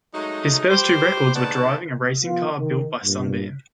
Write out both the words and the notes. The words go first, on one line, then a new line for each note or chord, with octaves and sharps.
His first two records were driving a racing car built by Sunbeam.
F#3 G#3 A3 D#4
E4 F4 G4 C5
G#2 D#3 B3 D5 F#5 A5
F3 B3 F4
D#3
G2 A#2